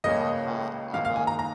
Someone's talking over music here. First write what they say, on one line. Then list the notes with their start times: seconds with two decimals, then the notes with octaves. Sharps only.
Uh-huh, uh-huh,
0.04 C#2 C#3 A#3 C#4 D#5
0.94 G#2 D#3 A#3 F5
1.05 F5
1.16 G#5
1.27 A#5
1.39 A#5